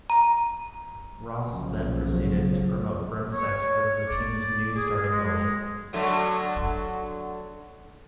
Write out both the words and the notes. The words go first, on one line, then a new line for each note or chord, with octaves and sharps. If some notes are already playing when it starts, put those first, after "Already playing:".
Ross then proceeded to promote Brimsek as the team's new starting goalie.
A#5
B1 C#3 F3 F#3
C#5
D5
G#4
G#3
D3 F#3 A3